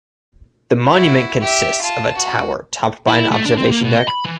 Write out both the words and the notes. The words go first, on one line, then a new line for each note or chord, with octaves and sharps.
The monument consists of a tower topped by an observation deck.
E4 F#4
G4 E5
F4 A5
F#4
E4
A3
D4
C4
A#3
B2
D#5
B5
E3